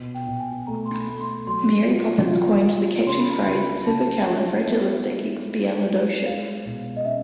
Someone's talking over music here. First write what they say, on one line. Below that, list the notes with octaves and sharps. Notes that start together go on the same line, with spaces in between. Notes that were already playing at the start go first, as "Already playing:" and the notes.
Mary Poppins coined the catchy phrase Supercalifragilisticexpialidocious.
Already playing: B2
G5
B2
G#5
A3 A#5
C6
B5
A3
C6
F#3 C6
F4
F4
F4
C#3 C6
B5
A#5
C#3 B5
C#3 A5
F3
B3 E5
G#3
G#3
E4
G#3 F5
B2
D#5
C#4 E5